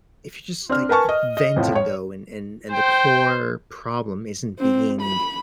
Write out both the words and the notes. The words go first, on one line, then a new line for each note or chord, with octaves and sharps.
if you're just, like, v venting, though, and and and the core problem isn't being,
C4 D4 F6
A#4 B4 G#5 A5 C#6
D#5
D#5
F2 A2 F3
C#5
C5 G5
C4
B5